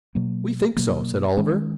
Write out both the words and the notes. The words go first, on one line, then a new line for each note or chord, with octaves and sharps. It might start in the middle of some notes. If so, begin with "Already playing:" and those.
"We think so," said Oliver.
B2 F#3 A#3
B2 F#3 A#3
D#3 G#3 C#4